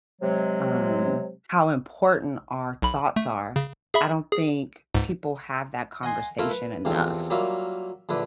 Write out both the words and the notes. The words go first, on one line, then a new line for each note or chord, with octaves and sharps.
um, how important our thoughts are. I don't think people have that conversation enough.
C3 F#3 G#3
B1 B5
A3
C#3
G#4 E5 B5
G#4
C#2 G#2
D#5 F#5 G#5 C6
A3 E4 F4 A#4 E5
B4
E2 C3 F3 C4 A4
F#3 G3 A#3 F4 A#4 E5
A#1 D3 E4 B4